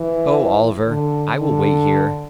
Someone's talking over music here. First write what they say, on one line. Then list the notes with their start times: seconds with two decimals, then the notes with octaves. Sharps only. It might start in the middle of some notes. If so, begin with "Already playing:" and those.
"Go, Oliver; I will wait here."
Already playing: E3
0.88 D3
1.40 D3